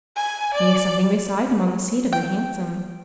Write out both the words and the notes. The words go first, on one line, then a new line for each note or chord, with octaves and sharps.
"He has something beside him on the seat of the hansom."
G#5
D5
G5